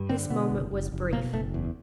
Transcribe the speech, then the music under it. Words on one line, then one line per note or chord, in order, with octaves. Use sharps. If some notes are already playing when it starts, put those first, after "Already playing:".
This moment was brief.
Already playing: G2
D3 C4
B2 B3
F#1
F#1
F#1
B2 A#3
F#1 A3
E2